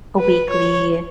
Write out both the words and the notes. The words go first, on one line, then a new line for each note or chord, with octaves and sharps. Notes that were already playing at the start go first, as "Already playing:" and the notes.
a weekly,
B4
C#5